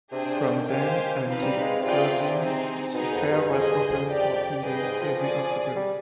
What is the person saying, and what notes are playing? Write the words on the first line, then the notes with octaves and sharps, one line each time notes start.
From then until its closing, the fair was open for ten days every October.
C3 D4 G#4 C5 G5
C3
C3
D3
D#3
D#3 G4 C5 F5 G#5
F3 C4 D#4 B4 F5
G3
G#3
C3 F4 G#4 B4 D5 G5
C4 D#4 G#4
B2 B3 D#4 G#4
F2
G2
F2 G#4 C5 D#5 G#5
G2
F2
G4 D5 G5
G2 G#4 B4 D#5 G5
G#2
F3
G#4 D5 G#5
G3